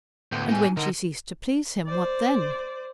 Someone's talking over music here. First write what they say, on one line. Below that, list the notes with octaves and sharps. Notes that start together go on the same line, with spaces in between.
And when she ceased to please him, what then?
D2 A2 B3 G5
D#4 G#5
D3 D#4 A#4
C5 D5